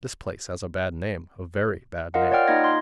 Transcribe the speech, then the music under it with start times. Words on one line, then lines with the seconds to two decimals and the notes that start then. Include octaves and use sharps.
This place has a bad name,--a very bad name.
2.14 F4 A#4 D#5 F5 F#5
2.31 C#5 D5 F#5 G5 F6
2.48 A#3 D#4 F4 D#5 G#6 A#6
2.64 C6